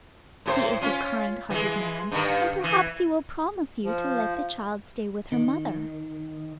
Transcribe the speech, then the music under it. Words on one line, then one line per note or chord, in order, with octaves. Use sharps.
He is a kind-hearted man, and perhaps he will promise you to let the child stay with her mother.
A2 G4 C5
C#4 F4
E3 G#3
G2 D#3
E3
F3
D#3